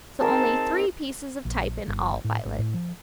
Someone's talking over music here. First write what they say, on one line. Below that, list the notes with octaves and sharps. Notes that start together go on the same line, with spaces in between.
"So only three pieces of type in all, Violet."
C4 D#4 G#4 A#4 A5
A#1
G1
A2
G#1
A2
F3